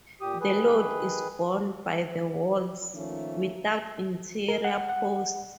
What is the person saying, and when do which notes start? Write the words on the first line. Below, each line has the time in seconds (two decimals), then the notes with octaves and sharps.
The load is borne by the walls, without interior posts.
0.21 A#2 G4 D#6
0.41 D#3 G#4 B4
2.94 D#3 F3 A3 A#3 C#4
4.49 A#4
4.64 F#5
4.89 F#5